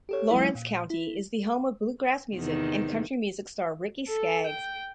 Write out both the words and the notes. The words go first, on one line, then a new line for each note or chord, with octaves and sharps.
Lawrence County is the home of bluegrass music and country music star Ricky Skaggs.
G4 A4 C#5
F3 G3 A3 E4
A#2
E4
E2 C3 D#3
A4
G5